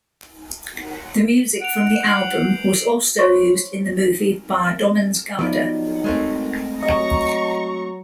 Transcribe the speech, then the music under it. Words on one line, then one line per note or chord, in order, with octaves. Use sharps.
The music from the album was also used in the movie "Barndommens gade".
F#5 D7 F7
G6 C7 F#7
C5 C#5 C6 C#6
F3 F#3 B3 D#4 D5
G#3 A3 C4
F#3 D#5 A#5 C#6